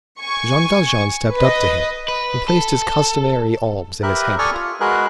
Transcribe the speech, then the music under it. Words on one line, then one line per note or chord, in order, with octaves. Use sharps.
Jean Valjean stepped up to him and placed his customary alms in his hand.
G#5 C#6
B4 D#5
B4
A4
G4 A#4 B4 E5 F#6
A4 D5 G#5 C#6 D#6 F6
F4
G#3 F#4 G#4 A#4 B4 F#6